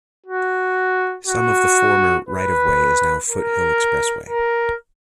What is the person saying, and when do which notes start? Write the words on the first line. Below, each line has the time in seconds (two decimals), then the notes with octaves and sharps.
Some of the former right-of-way is now Foothill Expressway.
0.26 F#4
1.27 F#4
2.29 B4
3.29 A#4
4.30 A#4